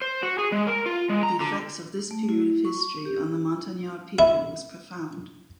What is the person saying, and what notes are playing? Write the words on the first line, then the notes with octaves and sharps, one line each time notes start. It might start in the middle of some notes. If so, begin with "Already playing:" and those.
The effects of this period of history on the Montagnard people was profound.
C5
F#4
G#4
G#3
A#4
F4
G#3
A#5
D3
A3
E4
C#6
G4
E4